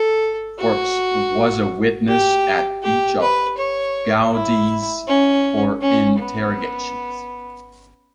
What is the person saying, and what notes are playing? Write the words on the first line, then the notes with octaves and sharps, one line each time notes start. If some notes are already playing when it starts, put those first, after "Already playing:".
Forbes was a witness at each of Gowdie's four interrogations.
Already playing: A4
F#4
G4
G4
B4
C#5
E4
C#4
C#4
B3